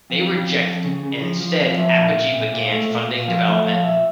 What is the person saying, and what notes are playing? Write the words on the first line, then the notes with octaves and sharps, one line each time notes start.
They rejected it and instead Apogee began funding development.
F2
F2
F2
F2
C#3
C#3
F3
F3
F2
F3 E5
A#2
A#2
A#2
A#2
A3
A#2
A#2
F3 F5
A3 E5
F3 F5
A#2 E5